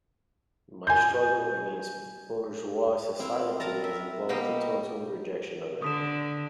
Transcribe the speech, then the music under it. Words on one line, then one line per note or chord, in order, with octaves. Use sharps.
My struggle against bourgeois society has involved the total rejection of it.
G#5 G6
C4 E4 F5
A#4 A5 A#5
E5
B2 A#3 B3 G4 D#5
D3 D#6 B6 E7